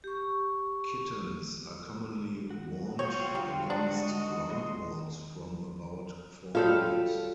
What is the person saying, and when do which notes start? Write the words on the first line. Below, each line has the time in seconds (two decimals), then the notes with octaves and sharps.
Kittens are commonly wormed against roundworms from about four weeks.
0.04 G4 C#6
2.51 F#4
2.99 F4 F#4 C#5 G5
3.35 D3 G3 G4
3.70 G#3 D4 F#4
4.03 D#5
4.50 D#5 C6
6.55 G3 F4 F#4 A4 C#5 F5